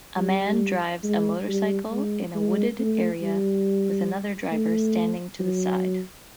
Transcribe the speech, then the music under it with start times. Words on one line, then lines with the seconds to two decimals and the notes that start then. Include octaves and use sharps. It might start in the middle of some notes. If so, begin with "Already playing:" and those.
A man drives a motorcycle in a wooded area, with another driver standing to the side.
0.17 G3
1.04 G#3
1.48 G3
1.91 G#3
2.35 G#3
2.79 A3
3.22 G3
4.52 A3
5.40 F#3